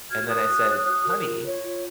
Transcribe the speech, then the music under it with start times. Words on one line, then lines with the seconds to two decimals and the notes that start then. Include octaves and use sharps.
and then I said, "Honey,
0.10 F#4 F6 G#6
0.29 A#4 D#6 F#6
0.48 F#4
0.67 C#5
0.87 F#4
1.07 A#4
1.25 F4
1.45 C#5
1.63 F4